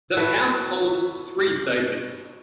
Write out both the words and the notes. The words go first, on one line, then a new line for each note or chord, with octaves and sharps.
The house holds three stages.
E4 F#4 A4 B4